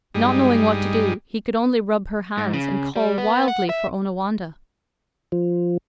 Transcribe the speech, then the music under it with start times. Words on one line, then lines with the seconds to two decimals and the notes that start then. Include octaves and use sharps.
Not knowing what to do, he could only rub her hands and call wildly for Onawandah.
0.15 G2 G3 G#3 D#4
2.38 G#2
2.53 C#3
2.96 G3
3.18 B3
3.48 F#5
3.69 E5
5.32 F3